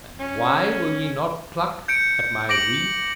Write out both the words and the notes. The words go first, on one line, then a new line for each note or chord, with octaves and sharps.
And why will ye not pluck at my wreath?
C#4
G6 C#7 D7
D6 A#6 D7 F#7